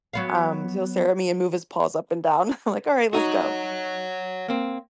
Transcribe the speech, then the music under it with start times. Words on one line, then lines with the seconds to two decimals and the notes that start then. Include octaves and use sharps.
Um, he'll stare at me and move his paws up and down. I'm like, "Alright, let's go."
0.13 F#3 B3 F5
3.13 D#4 F#4 C#5 F#5
4.48 A#3 C4